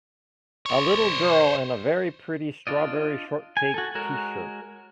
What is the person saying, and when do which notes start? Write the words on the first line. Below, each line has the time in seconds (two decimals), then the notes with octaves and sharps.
A little girl in a very pretty strawberry shortcake tshirt.
0.66 C5 C#5
2.67 D4 F4 D5 D#5
3.57 G#5
3.74 F#4 A4
3.95 G#3 F#4 A#4 C#5